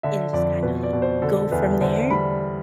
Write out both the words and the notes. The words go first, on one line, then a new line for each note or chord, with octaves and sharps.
and just kinda go from there.
D3 E5
F2 D5
B2 B4
D5
B2
C5
D3 A4
E2 B4
D3 C5
G3 B5